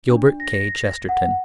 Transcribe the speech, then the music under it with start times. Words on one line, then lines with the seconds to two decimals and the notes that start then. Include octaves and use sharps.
Gilbert K. Chesterton.
0.10 D4
0.40 A#6
0.54 A#6
1.09 F#5